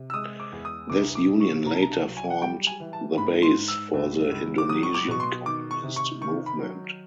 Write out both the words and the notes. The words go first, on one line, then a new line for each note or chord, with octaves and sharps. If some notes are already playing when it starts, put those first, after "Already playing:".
This union later formed the base for the Indonesian communist movement.
Already playing: C3
E6
G#3 D#6
D6
E2
D#6
C2 D6
D6
B2
C#6
C2 A#5
A5
A#5
A5
F#3
G#5
F#5
G3 G5
G#5
E3
A5
G#2 B5
C6
G#2
E6
C#2
C#2
D6
F#3 D#6
C#6
D6
B2 C#6
C6
D#3 D6
C#6
C3
C#6
D#3 C#6
B5
F#3